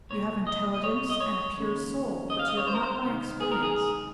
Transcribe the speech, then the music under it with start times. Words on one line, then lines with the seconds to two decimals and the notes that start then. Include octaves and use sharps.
You have intelligence and a pure soul, but you have not my experience.
0.10 C2 A#2 C#5
0.47 D#5
0.74 D#5
0.84 C#5
1.10 D#5
1.20 C#5
1.57 D#2 C#3
2.30 D#5
2.39 F5
2.48 D#5
2.57 C#5
2.67 C5
2.75 A#4
2.83 C5
3.03 C#2 C3 D#3
3.40 G#4
3.52 A#4
3.63 G#4